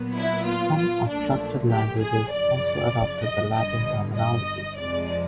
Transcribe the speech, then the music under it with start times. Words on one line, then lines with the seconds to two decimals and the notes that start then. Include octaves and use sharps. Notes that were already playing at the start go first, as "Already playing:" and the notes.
Some constructed languages also adopted the Latin terminology.
Already playing: A#2 F#3 B3
0.16 E4
0.46 F4
0.77 F4
1.08 B1 A#2 F3 A3 D4
1.70 G4
2.00 G#4
2.31 F#2 C#3 F3 D5
3.24 D#5
3.54 G1 G2 D3 D#5
4.16 D#5
4.76 F2 C3 F3 G#3 D5